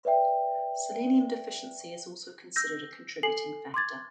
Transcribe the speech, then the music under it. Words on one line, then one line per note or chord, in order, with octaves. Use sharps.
Selenium deficiency is also considered a contributing factor.
B4 D5 E5 G5
E6 G6 A#6
A4 G#5 C7 F#7
C6 D6 G#6 A6